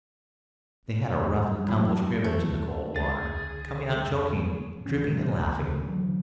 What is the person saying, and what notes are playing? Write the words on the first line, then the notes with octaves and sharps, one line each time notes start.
They had a rough and tumble scrimmage in the cold water, coming out choking, dripping and laughing.
E3 F#3 B5
A3
C#2 G#4 A6
D3
F2
D1 E3 B3 C#4
G#2 B2 F#3 G#3
G#1 C#2 A#3
D2 C#3
D3 E3 F#3